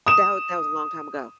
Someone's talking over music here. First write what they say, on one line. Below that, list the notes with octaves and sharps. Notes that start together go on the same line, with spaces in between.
That wa that was a long time ago.
D#6 E7